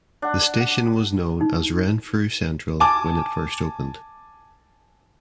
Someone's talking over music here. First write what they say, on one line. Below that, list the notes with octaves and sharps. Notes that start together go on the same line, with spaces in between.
The station was known as Renfrew Central when it first opened.
D4 F#5
F#5
D#4
G#5 A5 D6